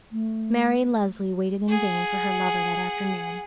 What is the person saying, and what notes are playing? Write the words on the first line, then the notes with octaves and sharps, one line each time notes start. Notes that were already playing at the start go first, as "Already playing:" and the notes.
Marian Lesley waited in vain for her lover that afternoon.
A3
G#4 F#5